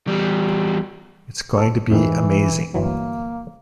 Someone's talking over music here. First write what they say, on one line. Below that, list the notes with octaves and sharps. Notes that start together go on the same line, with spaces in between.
It's going to be amazing.
E2 G3
A4 A5
F2 G#2 D#3 E3
G1 E3 F#3 A#3